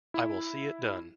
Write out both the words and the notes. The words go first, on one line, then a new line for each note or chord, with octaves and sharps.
I will see it done.
E4